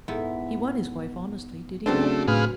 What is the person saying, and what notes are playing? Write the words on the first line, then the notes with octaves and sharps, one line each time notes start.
He won his wife honestly;--did he not?
G#2 B3 E4
C#3 F#3 A3 C4 D4 A5 C6
A2 G#4 B4 F5